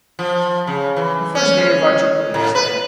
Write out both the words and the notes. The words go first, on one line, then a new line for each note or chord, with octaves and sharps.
The first day of our jubilee is death.
F3
C#3
E3
C#4
A2
B4